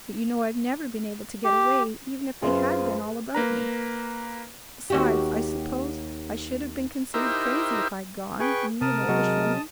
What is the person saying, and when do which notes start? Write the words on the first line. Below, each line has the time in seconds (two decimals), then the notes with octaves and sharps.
But you know I've never been able to get away, even if they had been all about me. Besides, I suppose I should have been considered crazy if I had gone, me, an oldish woman!
1.44 G4
2.42 F#2 F4 G#4 B4 C5 C6
3.35 A#3 B4 A#5
4.90 D#2 F#4 G4
7.14 D#4 E4 G4 A#4 C5 E5
8.40 G#4 B4 G5 C#6
8.81 C3 A#4 A5 D#6
9.08 C3 F#3 G#3 F#4